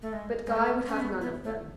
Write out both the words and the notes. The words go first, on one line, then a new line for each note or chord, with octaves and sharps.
But Guy would have none of them.
A3
G#3
G#3
A3
C#4
B3
B3
A3